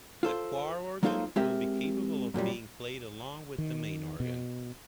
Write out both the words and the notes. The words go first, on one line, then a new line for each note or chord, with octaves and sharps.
The choir organ will be capable of being played along with the main organ.
F4 A4 C5
F#3 A#3 D#4 F4 A4 C5
G#3 C4 G4 A#4 E5
F#2 A#2 F#3 G3
D#3
B2